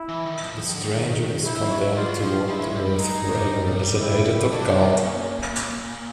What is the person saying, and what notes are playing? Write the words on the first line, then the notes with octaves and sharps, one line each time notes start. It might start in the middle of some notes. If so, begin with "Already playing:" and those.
The Stranger is condemned to walk the Earth forever as an agent of God.
Already playing: E4
E3
D#3
F3
D#3
D3
D#3
F3 E4
F3
F#3
G3 F4
F#3
F3
F3 E4
F#3
G#3
G3
G3
G#3 D#4
G#3
G3
E4
F#3 D4
F3
D3
D#3
B2
A#2 C#4